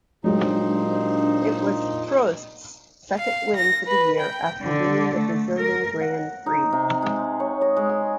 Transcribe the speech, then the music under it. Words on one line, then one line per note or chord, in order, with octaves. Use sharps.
It was Prost's second win for the year after winning the Brazilian Grand Prix.
A#2 F#3 G#3 D4 D#4 G4 C5
F5
A#6
B4
G5
D3
A3
A#4
F#5
D#4
C3
G#3
C#5
D#5
G#3
G#5